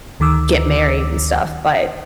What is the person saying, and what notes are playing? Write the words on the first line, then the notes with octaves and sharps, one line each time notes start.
get married and stuff, but,
D2 D#3 D6 E6